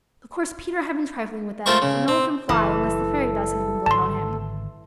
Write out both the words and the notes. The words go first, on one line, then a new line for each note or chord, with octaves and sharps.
Of course Peter had been trifling with them, for no one can fly unless the fairy dust has been blown on him.
A3 F4 A#4 C5 C#6
C#3
C4
F#1 E3 A4
G#1 D3 A5 C6